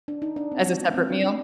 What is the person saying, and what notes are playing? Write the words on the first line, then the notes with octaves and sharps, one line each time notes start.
As a separate meal?
D4
D#4
D4
C4
G#3
B3
C4
D4
D4